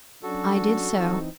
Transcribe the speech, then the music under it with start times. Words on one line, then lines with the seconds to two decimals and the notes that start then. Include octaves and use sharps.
I did so.
0.23 F#3 C#4 D4 F#4 A4
0.94 E3 C4 D#4